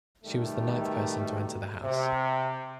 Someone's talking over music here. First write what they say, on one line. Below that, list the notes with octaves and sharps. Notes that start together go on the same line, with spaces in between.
She was the ninth person to enter the house.
B2 D#3 G3 A3
C3